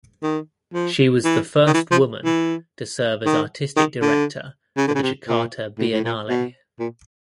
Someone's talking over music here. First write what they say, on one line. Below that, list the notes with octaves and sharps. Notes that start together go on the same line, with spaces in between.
She was the first woman to serve as artistic director for the Jakarta Biennale.
D#3
F3
E3
D#3
E3
F3
E3
D#3
D#3
D3
C#3
D3
C#3
C3
A#2
A2
A2
A#2
B2
A#2